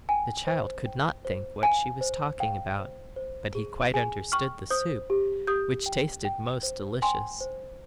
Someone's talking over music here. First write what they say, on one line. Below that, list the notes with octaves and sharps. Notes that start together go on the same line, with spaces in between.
The child could not think what she was talking about, but he quite understood the soup, which tasted most delicious.
G5 G#5
C5
G5
C5
F5 G#5
C5
F5 G5
C5
C5
G#4
G#4 G#5
G5 C#6 F6
C5 D#6 G6
G4
G4 D#6 G6
G5
G5
C5
G5 G#5 C6
C5